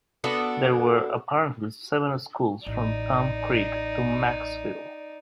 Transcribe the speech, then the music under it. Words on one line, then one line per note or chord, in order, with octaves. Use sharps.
There were apparently seven schools from Thumb Creek to Macksville.
B3 D4 F#4 A4
A1 D#4 D5